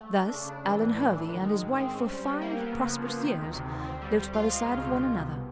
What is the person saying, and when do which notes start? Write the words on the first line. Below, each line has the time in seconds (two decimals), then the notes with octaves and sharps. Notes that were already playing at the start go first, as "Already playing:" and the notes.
Thus Alvan Hervey and his wife for five prosperous years lived by the side of one another.
0.01 A3
0.18 D4
0.33 C#3
0.49 D4
0.65 E3
0.81 A2
0.97 E3
1.14 B1
1.29 D#3
1.45 G#3
1.62 G#2
1.78 C4
1.94 C#4
2.09 G3
2.25 G3
2.41 A#3
2.57 B3
2.73 C#3
2.89 F3
3.05 F3
3.21 D#3
3.37 D2
3.53 C3
3.70 D2
3.85 C4
4.02 G3
4.18 G3
4.33 F4
4.49 G#3
4.65 C#2
4.81 B2
4.98 B2
5.13 C2